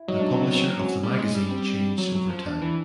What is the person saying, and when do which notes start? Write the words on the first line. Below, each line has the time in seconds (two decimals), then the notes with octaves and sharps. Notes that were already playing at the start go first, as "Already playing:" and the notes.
The publisher of the magazine changed over time.
Already playing: E4
0.08 F#3 D#4
0.20 D4
0.31 C4
0.43 B3
0.55 C4
0.69 C4
0.80 C#4
1.03 G3
1.18 G#3
1.35 G3
1.51 C4
1.98 F#3
2.15 F#3
2.29 F3
2.46 D4
2.61 E3